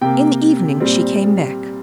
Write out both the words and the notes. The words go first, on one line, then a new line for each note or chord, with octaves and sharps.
In the evening she came back.
C3 A#3 G5
A#2 G3 C4